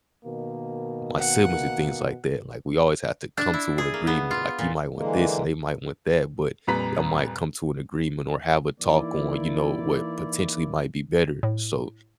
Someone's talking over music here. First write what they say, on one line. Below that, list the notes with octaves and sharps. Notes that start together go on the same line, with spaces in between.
my siblings and things like that. Like, we always have to come to a agreement. Like, you might want this and they might want that, but y'all might come to an agreement or have a talk on, you know, what potentially might be better. So
B2 D#3 A#3
F#5
D4
E4
G#4
A#3
B3
F4
A#2
D3 E3 G#3 A#3
F2 A#2 G3 B4 A#5 B6
E3 A#3 D#4 E4 D5
A2